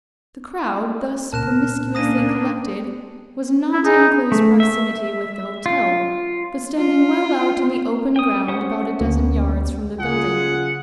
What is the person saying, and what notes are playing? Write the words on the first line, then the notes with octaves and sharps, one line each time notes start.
The crowd, thus promiscuously collected, was not in close proximity with the hotel; but standing well out in the open ground, about a dozen yards from the building.
C#2 A#2 A#4 A5 F#6 E7
A#3 C#4 D4 D#6 A#6 D#7
E4
D#4 G#4
A3
E5
F4
F4
G5 D#6
C#4 C5 F#5
D2
C#3 F4 G#4 F#5